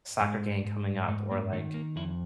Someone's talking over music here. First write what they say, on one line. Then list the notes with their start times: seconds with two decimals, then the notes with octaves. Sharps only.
soccer game coming up?" Or, like,
0.21 G#2 G#3
0.65 G#2
1.08 G#2 A3
1.31 A#3
1.53 D#3 A3
1.74 A#3
1.96 F2 E4